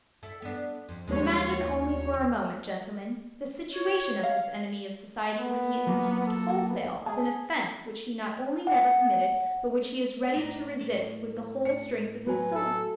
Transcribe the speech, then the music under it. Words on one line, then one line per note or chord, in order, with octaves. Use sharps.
But imagine only for a moment, gentlemen, the situation of this enemy of society when he is accused wholesale of an offence which he not only never committed, but which he is ready to resist with the whole strength of his soul.
E4 A4
B3 D4
F2
D#2 F3 G#3 C#5
F4
C#5
F5
B3
F#3 A#3 F4
A4
B3
G#4 A5
F#5
A2 D4 D#4
A2 A3
C#7
F#3 B4 G#5
A4